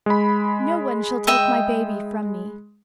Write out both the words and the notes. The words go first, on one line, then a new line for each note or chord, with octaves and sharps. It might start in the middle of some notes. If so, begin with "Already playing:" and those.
No one shall take my baby from me.'
G#3 B5
D#5 E5 G5